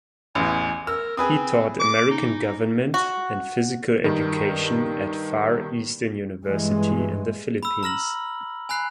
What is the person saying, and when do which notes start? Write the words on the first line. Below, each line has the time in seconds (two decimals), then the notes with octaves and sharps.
He taught American government and physical education at Far Eastern University in the Philippines.
0.35 A1 E2 G#5
0.87 A#4 E6
1.17 C4 G#4 B4 D#6
1.80 D6
2.11 D#4
2.94 F#4
4.04 G2 D#3
6.46 G2 E3 G#3
7.63 B5 E6
7.83 A#5 F6 A#6 F#7
8.69 G#5 B5 F#6 C7